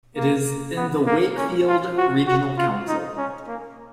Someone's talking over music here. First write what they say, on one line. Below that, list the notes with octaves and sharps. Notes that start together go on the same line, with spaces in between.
It is in the Wakefield Regional Council.
A#3
B3
A#3
C#4
F4
F#4
F#4
F4
D#4
C#4
A#3